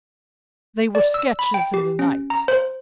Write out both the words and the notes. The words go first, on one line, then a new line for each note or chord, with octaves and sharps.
They were sketches in the night.
D5
E6
B5
G5
G4
C#4
A#5
C5